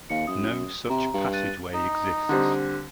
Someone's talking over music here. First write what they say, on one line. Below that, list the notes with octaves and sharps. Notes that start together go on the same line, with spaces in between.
No such passageway exists.
D#2 F5 C#7
F#2 D#6
C3 A#5
G2
F#6 A6 D#7
D#4
D3 G3 C4